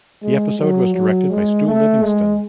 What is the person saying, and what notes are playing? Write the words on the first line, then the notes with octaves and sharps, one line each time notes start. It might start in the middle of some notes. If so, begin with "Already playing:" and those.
The episode was directed by Stu Livingston.
G#3
F#3
F#3
G#3
A3
G#3